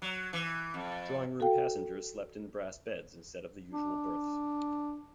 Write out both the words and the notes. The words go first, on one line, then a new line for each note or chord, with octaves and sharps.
Drawing room passengers slept in brass beds instead of the usual berths.
F#3
E3
F2
F#4 A4 F5 G5
D4